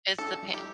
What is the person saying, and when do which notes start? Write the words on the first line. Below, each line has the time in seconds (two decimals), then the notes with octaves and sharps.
It's the pa
0.18 D4 A4
0.43 G3
0.54 G4